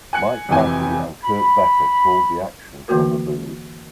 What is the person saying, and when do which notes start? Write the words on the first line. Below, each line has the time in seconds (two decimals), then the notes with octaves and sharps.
Mike Bagley and Kurt Becker called the action from the booth.
0.13 G#5 F#6 C#7
0.49 F2 C3 E3 G5 G#5
1.24 B5
2.88 D3 E3 A3 A#3 F#4 A#4